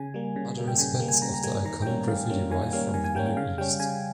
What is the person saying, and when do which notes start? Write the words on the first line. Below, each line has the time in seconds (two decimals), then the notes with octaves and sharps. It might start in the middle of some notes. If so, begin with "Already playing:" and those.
Other aspects of the iconography derive from the Near East.
Already playing: C#3 G#5
0.14 G3 A#3
0.36 C#3
0.57 G3 A#3
0.68 G5
0.79 C#3 G#5
0.95 G5
1.00 G3 A#3
1.08 G#5
1.22 C#3 A#5
1.34 A#5
1.43 G3 A#3 G#5
1.65 D#3 A#5
1.82 G5
1.86 G3 A#3 C#4 G#5
2.08 D#3 F5
2.30 G3 A#3 C#4
2.51 D#3 G#5
2.62 G#5
2.73 G3 A#3 C#4 F5
2.94 D#3 G#5
3.04 G#5
3.15 G3 A#3 C#4 G5
3.26 G5
3.37 C#3 F5
3.58 G3 C#4 G5
3.80 C#3 G#5